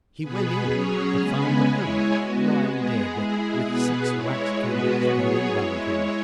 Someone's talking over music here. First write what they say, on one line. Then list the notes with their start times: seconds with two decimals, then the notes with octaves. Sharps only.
He went in; but found the hermit lying dead, with six wax candles burning around him.
0.22 B2 B3 G#4 B4
0.70 F#3 C#4 G#4 C#5
1.19 C#3 G#3 B3 G#4 B4
1.67 G#3 E4 G#4 C#5
2.15 G#3 B3 F#4
2.64 G#3 B3 G#4
3.13 G#3 E4 G#4
3.61 B2 B3 G#4 B4
4.09 G#3 E4 C#5
4.58 B2 G#3 B3 F#4 B4
5.06 F#3 B3 G#4 C#5
5.54 G#3 E4 C#5